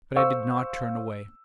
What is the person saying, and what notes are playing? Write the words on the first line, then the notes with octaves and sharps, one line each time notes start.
But I did not turn away.
C5 F5 C#6 E6